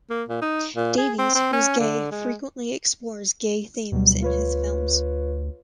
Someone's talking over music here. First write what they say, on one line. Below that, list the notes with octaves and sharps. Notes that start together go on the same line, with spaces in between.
Davies, who is gay, frequently explores gay themes in his films.
A#3
A#2
D#4
A#2
G#4
C4
C4
C#4
D3
G#3
D2 B2 F#3 G3
F4 B4 C#5